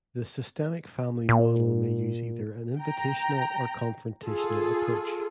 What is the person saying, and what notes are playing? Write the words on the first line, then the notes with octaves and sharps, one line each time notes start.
The Systemic Family Model may use either an invitational or confrontational approach.
A#2
G5 A#5
F4 G#4 A4